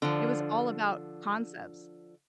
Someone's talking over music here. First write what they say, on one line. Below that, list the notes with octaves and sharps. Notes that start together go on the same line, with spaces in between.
It was all about concepts
D3 F3